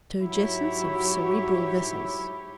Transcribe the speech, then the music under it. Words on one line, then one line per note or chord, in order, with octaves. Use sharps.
Turgescence of cerebral vessels.
G#2 F#3 E4 G4 C#5